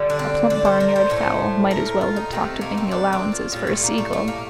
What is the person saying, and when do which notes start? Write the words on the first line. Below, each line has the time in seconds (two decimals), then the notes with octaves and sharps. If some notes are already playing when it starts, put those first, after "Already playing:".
A plump barnyard fowl might as well have talked of making allowances for a seagull!
Already playing: D3 G3
0.10 D4
0.19 C4
0.50 D4
0.65 C5
0.80 A#4
0.96 C5
1.10 A2 A3
1.71 A#4
1.86 A#4
2.01 F4
2.16 D#4
2.32 C3 D#3 A3 C4
2.61 A#3
2.77 C4
2.91 D4
3.13 C4
3.32 F4
3.52 A2 G3 F4
3.67 A3
3.83 A#3
3.98 A3
4.13 A3
4.28 A#3